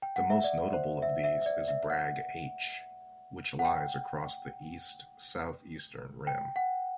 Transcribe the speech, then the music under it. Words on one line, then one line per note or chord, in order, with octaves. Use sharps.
The most notable of these is Bragg H, which lies across the east-southeastern rim.
G5
F#5
E5
D5
C5
E5
E5
E5
D5
E5
F#5
F#5
G5
G5
F#5